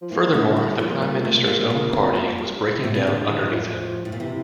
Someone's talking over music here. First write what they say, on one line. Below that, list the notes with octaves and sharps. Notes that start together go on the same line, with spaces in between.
Furthermore, the Prime Minister's own party was breaking down underneath him.
F3
E3 A#3
D3 A3
A2 G3
A#2 F3
G3
A3
A3
A#3
A#3
C4
A#3
G3
A2 C3
A#2
A2 D3
E3
F3
A2
A#2
C3 E3